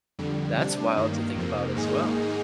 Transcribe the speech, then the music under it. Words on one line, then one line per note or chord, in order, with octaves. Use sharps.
That's wild to think about as well.
F2 D3 G3
C3 G3 D4
G2 D#3 A#3
F2 C3 F3 A#3
G#2 D#3 A#3 D#4 G#4